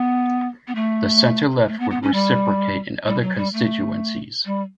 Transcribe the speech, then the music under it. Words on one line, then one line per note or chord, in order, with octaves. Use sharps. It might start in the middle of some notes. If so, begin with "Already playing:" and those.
The centre-left would reciprocate in other constituencies.
Already playing: B3
B3
A3
A3
B3
B3
C#4
G3
G3
F#3
G3
A3
G3